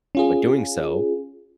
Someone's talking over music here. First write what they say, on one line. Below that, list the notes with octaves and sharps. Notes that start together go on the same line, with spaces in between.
but doing so,
C#4 F4 G#4